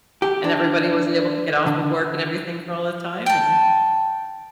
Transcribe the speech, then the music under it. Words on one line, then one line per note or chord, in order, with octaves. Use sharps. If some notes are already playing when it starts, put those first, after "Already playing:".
And everybody wasn't able to get off of work and everything for all the time, and
G4
D4
D3
G5 A5